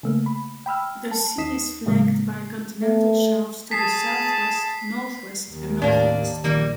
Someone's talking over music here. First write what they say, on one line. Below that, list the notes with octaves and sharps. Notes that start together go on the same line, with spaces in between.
The sea is flanked by continental shelves to the southwest, northwest, and northeast.
C#3 A3 A#3
B5
G5 B5 E6 F6
A5
D#2 D#4 D#6 B6 C7 E7
A2 C#3 F#3 G#3 A#3
A3
G#4 A5 B6 C7
D#2
A2 A#3 D4
A#1 D#3 G3 A#3